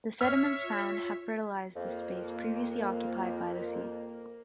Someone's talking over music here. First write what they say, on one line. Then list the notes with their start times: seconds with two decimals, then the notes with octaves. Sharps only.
The sediments found have fertilized this space previously occupied by the sea.
0.21 C#5 E5 F6
0.63 F4
1.76 F2 A#3